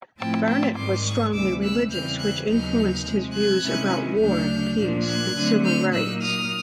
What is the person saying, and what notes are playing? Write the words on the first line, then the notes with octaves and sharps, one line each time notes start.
Barnet was strongly religious, which influenced his views about war, peace and civil rights.
A2 F3 A3 C4 E4 G5 A5
G5 A5
G#2 D#3 G3 C6 D6
C#6 D#6
D2 C3 E3 G3 D6 E6
E6 F#6
E2 C#3 E3 G3 C4 F6 G6
F#6 G#6
D#2 C#3 F#3 B3 D#4 F6 G6
C3 F3 G#3
F#6 G#6
C3 D#3 G#3 C#4 E4
D2 C#3 F#3 A3 D4 F6 G6
A#2 F3 A#3 D4
F#6 G#6
D3 F#3 A3 C4
F6 G6
A#2 F#3 A#3 D#4 E6 F#6
D#6 F6